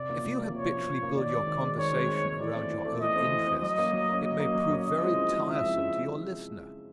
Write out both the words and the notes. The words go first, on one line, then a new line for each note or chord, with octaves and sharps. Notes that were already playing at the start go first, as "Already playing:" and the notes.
If you habitually build your conversation around your own interests it may prove very tiresome to your listener.
Already playing: C3 D5
F3 A#3 C#4
C3
F3 A#3 C#4
C3 C#5
F3 A#3 C#4
C3
F3 A#3 C#4
D#3 D5
G#3 C4
D#3
G#3 C4
D#3 C#5
G#3 C4
D#3
G#3 C4
E3 D5
A3 C4
E3
A3 C4
E3 D#5
A3 C4
E3
A3 C4
F#3 D#5
A#3 C#4
F#3
A#3 C#4
F#3 D#5
A#3 C#4
F#3
A#3 C#4
C#3 D#5
F3 G#3 C4 E4
C#3
F3 G#3 C4 E4
C#3 E5
F3 G#3 C4 E4
C#3